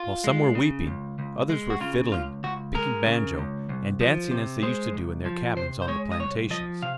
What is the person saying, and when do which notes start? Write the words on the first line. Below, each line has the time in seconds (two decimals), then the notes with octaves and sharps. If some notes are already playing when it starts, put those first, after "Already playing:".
While some were weeping, others were fiddling, picking banjo, and dancing as they used to do in their cabins on the plantations.
Already playing: F4
0.24 G#3
0.55 C#3
0.87 C#2
1.19 C#2
1.50 G#3
1.70 F#4
1.81 C#3 F4
2.12 C#2 F4
2.44 C#2 F#4
2.75 G#3 A#4
3.06 C#3
3.38 C#2
3.69 C2
4.01 F3
4.31 C3
4.63 G#3 C5
4.94 C2
5.26 F3
5.57 C3 C5
5.82 C5
5.88 G#3 C#5
6.12 D#5
6.20 C2 C#5
6.51 F3 D#5
6.82 C3 F5